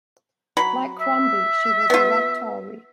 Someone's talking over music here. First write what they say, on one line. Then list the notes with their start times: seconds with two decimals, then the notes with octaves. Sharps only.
Like Crombie, she was a Red Tory.
0.57 F#3 B5
1.01 E5
1.90 B3 F4